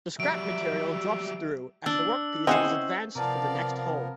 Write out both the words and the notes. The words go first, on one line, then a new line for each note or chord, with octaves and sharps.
The scrap material drops through as the workpiece is advanced for the next hole.
F#3 G3 E5 D7
D4 E6
C4 C#4 E4 G#4 C5 D#5 F#5
C3 F3 B3 A#4 D5 F5 A5 A#5